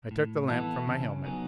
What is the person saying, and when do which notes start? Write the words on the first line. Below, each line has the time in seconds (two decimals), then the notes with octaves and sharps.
I took the lamp from my helmet.
0.11 A2
0.49 E3 B3 E4 A4
0.87 C#3
1.24 F#3 B3 D#4 G#4